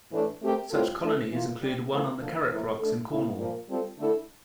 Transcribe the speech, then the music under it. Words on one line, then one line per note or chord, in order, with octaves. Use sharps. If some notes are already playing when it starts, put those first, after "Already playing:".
Such colonies include one on the Carrack rocks in Cornwall.
A2 E3 A3 D4
A3 C4 G4 A#4
A2 G3 C4 F4 A4
A3 D4 A4
E3 A#3 F4
C3 G3 C4 G4
E3 A3 C4 F4 A#4
D3 F3 A#3 D4 A4
A2 F3 A#3 E4 A#4
A3 D4 A4
A#2 A3 E4
A#2 F3 A#3
G3 C4 F4 A4
D3 A3 E4 A4